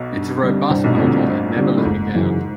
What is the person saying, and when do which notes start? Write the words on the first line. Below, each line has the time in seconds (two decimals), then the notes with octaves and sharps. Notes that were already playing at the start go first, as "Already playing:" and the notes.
It's a robust motor, it never let me down.
Already playing: B1 B2
0.13 G2
0.41 D3 G3 C4
0.70 C2 G2 C3
0.84 B1 B2
0.94 A2
0.99 A#1 A#2 D3 G3 C4
1.27 G2
1.56 D3 G3 C4
1.78 A2
1.85 F#1 G#2
2.14 F#2 C#3 E3